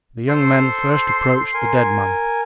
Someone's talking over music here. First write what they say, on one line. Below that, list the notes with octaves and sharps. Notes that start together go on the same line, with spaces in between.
The young men first approached the dead man.
A4 C5 C6
A#4 G#5